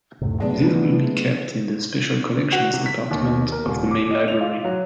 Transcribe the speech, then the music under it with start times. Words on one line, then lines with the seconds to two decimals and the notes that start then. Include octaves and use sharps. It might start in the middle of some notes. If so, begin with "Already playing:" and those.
These will be kept in the Special Collections department of the main library.
0.21 E2 G#2 C3 A3
0.40 C3 F#3 G#3 A3 B3 D4
2.52 F#4
2.73 C3
2.86 B6
3.11 D#2
3.52 A#4
3.66 D#1
3.91 D6
4.11 D#5
4.28 F7
4.41 F4
4.65 F#3